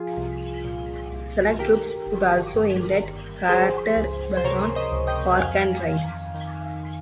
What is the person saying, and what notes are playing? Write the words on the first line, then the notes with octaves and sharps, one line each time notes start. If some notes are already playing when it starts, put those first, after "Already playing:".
Select trips would also end at Carter Barron Park and Ride.
Already playing: F3 F4 G#4
C2
A#2
C2
D#3 G4 A#4
G1
G2
G1
F3 G#4 C5
C#2
C5
C3 A#4 C#5
C5 D#5
C#2
D#5 G5
F2 F5 G#5
D#3
D#3